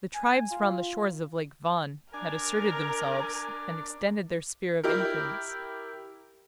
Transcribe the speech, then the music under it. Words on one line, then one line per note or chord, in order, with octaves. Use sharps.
The tribes round the shores of Lake Van had asserted themselves and extended their sphere of influence.
G#5
F4
D4 A#4 G#5
E4 G4 A#4